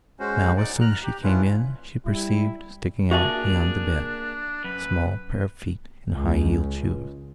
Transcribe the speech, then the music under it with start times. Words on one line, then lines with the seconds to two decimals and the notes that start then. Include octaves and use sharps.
Now, as soon as she came in, she perceived, sticking out beyond the bed, a small pair of feet in high-heeled shoes.
0.20 G#3 C#4 F#4 C5
0.57 D#4 D5 F#5
0.81 A#5 F6 F#6
1.03 G4
1.23 C#4 D4 E4 F4 B4
2.06 G3 E4
3.11 A#3 D4 F#4 G#4 E5 A5
4.64 F#2 B4
6.11 C#2